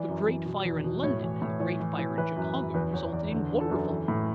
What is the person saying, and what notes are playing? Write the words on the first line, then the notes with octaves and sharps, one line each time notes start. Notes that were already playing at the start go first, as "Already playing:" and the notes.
The great fire in London and the great fire in Chicago resulted in wonderful improvement.
Already playing: E3 D5
F#2
E3
B2
E2
B2
A2 C#5
E3
A2
E3 C#5
E3
E3
E3 B4
F#2
F#2
E2 B4
E2 C#5
E2 D5
D3
D3
A4
F#2
A4
E3
A2